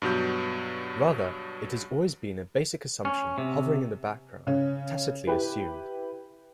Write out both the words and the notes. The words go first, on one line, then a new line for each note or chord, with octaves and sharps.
Rather, it has always been a basic assumption hovering in the background, tacitly assumed.
G2 B2 F#3 G6
C#4
C3
C#3 C#4
E4 G4 B4